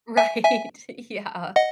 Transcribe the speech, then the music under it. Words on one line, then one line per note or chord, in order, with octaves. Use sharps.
Right, yeah,
E5 G#5
E5 G#5
D#5 F#5